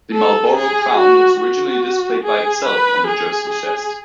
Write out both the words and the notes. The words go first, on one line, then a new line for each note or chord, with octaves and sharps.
The Marlborough crown was originally displayed by itself on the jersey chest.
A4
G#4
F#4
F#4
G#4
B4
G#4
G#4